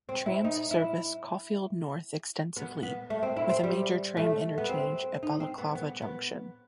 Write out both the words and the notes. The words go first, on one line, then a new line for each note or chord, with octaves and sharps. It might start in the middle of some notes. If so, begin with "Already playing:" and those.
Trams service Caulfield North extensively, with a major tram interchange at Balaclava Junction.
C4
E4
D#4
E4
B3
B3
A3
C4
E4
C4
G3
A3
B3
C4
D#4
C4
B3
B3
B3